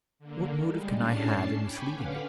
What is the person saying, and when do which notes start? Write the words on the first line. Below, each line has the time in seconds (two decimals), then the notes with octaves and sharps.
What motive can I have in misleading you?
0.19 D3 A#3
0.62 G3 G#3
0.93 A2 C#4 D4 A5 C7
1.61 G5 G#5 B5 C#6 D6
1.91 D3 C#4 B4 F5 F#5